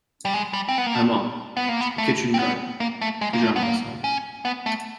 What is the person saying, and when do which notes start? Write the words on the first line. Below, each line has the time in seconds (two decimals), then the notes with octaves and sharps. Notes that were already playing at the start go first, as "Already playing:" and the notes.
I'm off. To the kitchen garden. To drown myself.
0.25 G3
0.34 G#3
0.53 G3
0.68 C4
0.78 B3
0.86 A#3
0.95 A3
1.57 B3
1.69 A#3
1.81 B3
1.98 A3
2.34 C4
2.39 B3
2.80 A#3
3.01 A3
3.21 G#3
3.33 A#3
3.43 A3
3.56 B3
3.63 A#3
4.04 C#4
4.45 B3
4.66 A3